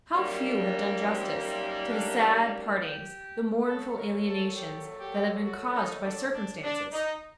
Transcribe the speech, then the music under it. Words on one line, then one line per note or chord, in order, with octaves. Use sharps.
How few have done justice to the sad partings, the mournful alienations that have been caused by circumstances!
F#2 D#3 G3 A#3
D4
C4
C4
D4
G4
A#2 F#3 A3 A4
A#4
A4
G4
G4
F#4
D#4
D4
D4
D4
D#4